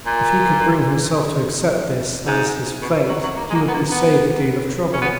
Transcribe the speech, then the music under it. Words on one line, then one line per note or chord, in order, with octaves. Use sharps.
If he could bring himself to accept this as his fate he would be saved a deal of trouble.
A#2
G#2
B2
B2
F#3
F#3
A#3
G#3
A#3
B3
A#3
B3
C#4
B3